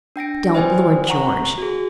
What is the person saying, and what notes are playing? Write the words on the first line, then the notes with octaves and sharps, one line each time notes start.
"Don't, Lord George."
D4 G5 A#6 D7
B4 C5 D5 D#5 G5 G#5
F#5 A#5 C#6
F#4 G#4